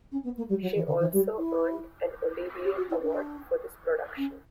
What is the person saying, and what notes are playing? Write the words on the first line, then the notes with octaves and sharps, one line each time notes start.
She also earned an Olivier Award for this production.
C#4
B3
A#3
G3
F#3
E3
D3
E3
G3
E4
G4
F#4
E4
D4
C#4